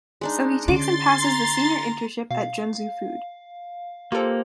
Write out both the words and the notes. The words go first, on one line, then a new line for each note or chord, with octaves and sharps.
So he takes and passes the Senior Internship at Junsu Food.
G#3 D4 D#4
D3 C#4 C6 D6 A6
A#5
B2 F5
A#3 F4 G4 A4 C5